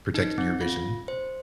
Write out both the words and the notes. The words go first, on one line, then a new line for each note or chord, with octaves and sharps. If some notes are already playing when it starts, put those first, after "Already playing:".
protecting your vision.
D#4
C4
F4
C5